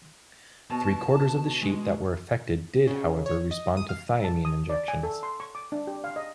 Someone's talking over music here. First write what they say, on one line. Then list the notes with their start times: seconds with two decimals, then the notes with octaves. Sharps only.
Three-quarters of the sheep that were affected did however respond to thiamine injections.
0.70 B2 A5
1.62 G#3
2.87 C#3
3.26 C#5
3.51 D#5
3.77 D#6
3.89 F5
4.24 A5
4.45 D#6
4.69 D5
4.88 G#5
5.03 A4
5.23 C6
5.40 C#6
5.55 D6
5.72 D4
5.87 G4
6.04 F5
6.16 D#5